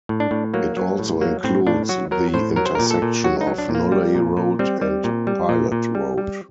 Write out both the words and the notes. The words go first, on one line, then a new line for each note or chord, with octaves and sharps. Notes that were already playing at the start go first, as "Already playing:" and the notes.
It also includes the intersection of Nolley Road and Pilot Road.
A2
D4
A2
F#3 A#3
F#3
A2
F#3 A#3
A2 C4
A2 D4
F#3 F#4
F#3 A#4
A2 C5
F#3 A#4
C5
A#2 A#4
A4
A#2
F#3 F#4
D#4
F#3
D4
A#2
A#3
G3
A#2
A#2
G3 C4
G3
A#2
G3
A#2
A#2
G3
G3